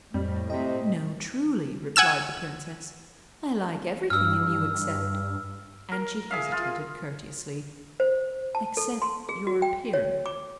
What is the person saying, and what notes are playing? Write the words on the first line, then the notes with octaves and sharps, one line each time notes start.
"No, truly," replied the princess; "I like everything in you, except"--and she hesitated courteously--"except your appearance."
F2 A2 G3
C3 D#5 G5 B6
F#5 G#5 E6 E7
G2 E6 F6
A#4
G#4 E5 F5
F4
C5
A5
A4
C6
G#4
F#4
G5
C#5
D6